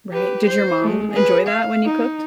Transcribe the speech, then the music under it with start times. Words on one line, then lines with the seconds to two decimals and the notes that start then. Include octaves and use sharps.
Right. Did your mom enjoy that when you cooked?
0.11 G4 B4
0.46 C5
0.81 G#3 A3
1.12 G#4 B4
1.47 F5
1.85 D#4